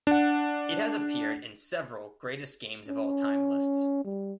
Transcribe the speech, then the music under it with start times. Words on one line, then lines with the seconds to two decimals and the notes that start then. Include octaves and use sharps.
It has appeared in several "greatest games of all time" lists.
0.07 D4 F#5
2.88 C#4
4.04 G3